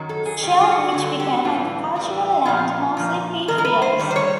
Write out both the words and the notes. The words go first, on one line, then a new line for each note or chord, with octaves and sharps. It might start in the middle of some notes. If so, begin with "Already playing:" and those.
Shell Beach became agricultural land, mostly pea fields.
Already playing: F#2 D#3 F#3
A4
G#4
G2 D3 F#3 G4
F#4
F4
F#4
G2 D3 F#3
G4
F#4
A2 E3 G3 F4
A2 E3 G3
A#2 F3 F4
A#2 F3
G2 D#3 A#4
A#4
B4
C5
G2 D#3 G3
C5
C#5